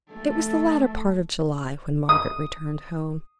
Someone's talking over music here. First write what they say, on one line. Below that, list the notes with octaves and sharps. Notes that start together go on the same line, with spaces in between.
It was the latter part of July when Margaret returned home.
A3 A4
D#6